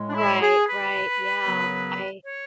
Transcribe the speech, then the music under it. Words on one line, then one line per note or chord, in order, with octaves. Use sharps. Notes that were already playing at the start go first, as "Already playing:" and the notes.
Right, right, yeah, I
Already playing: A2 G#3 C#4
D4
E4
G#4
B4
F#2 C#3 F#3 B3
C#5